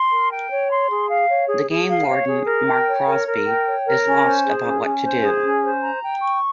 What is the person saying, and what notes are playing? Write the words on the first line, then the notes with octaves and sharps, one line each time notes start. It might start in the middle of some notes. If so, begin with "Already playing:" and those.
The game warden, Mark Crosby, is lost about what to do.
Already playing: C6
A#4
G5
C#5
C6
G#4
F5
C#5
G#4
G#4
F5
C#5
G#4
A#4
G5
C#5
A#4
A#4
G5
C#5
A#4
C#4
C5
G#4
C#4
C#4
C5
G#4
C#4
C5
A#5
G5
C#6